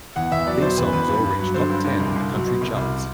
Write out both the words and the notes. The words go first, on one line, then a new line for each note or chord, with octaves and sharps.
These songs all reached Top Ten on the country charts.
E2 F#5
E2 E5
F#3 D5
B2 C5
E2 B4
E2 B4
G2
G2
F#3
D3 C5
G2
G2
C2
C2
F#3
B2
C2
C2